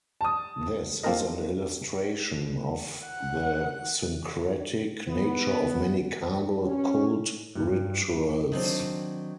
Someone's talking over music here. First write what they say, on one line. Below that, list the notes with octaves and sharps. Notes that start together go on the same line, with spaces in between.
This is an illustration of the syncretic nature of many cargo cult rituals.
A5 D#6
F3 A#3 C4 A4 A#4 D#5
F#5
B3
C#4
G2
D#3 F#3 C4 D4